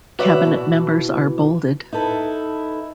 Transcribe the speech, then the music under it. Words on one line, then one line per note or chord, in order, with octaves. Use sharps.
Cabinet members are bolded.
F#4 B4 C#5 D5 E5 F#5
B2 E3
D#4 E4 A4 B4